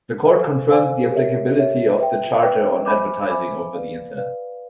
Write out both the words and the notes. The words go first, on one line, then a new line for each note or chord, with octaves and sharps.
The court confirmed the applicability of the Charter on advertising over the Internet.
A4 C5 F5 G#5
A4 C5 F5 G#5
G4 A#4 C#5 E5
G4 A#4 C#5 E5
B4 E5 G5
B4 E5 G5
C5 E5 G#5 B5 D6
C5 E5 G#5 B5 D6
B4 D5 F5
B4 D5 F5